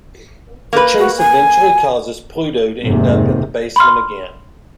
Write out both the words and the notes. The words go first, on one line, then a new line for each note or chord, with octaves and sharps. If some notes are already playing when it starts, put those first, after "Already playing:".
The chase eventually causes Pluto to end up in the basement again.
A#3 B4
F#4
G#5
F1 D#2 G#2 C3
B5 C6 F6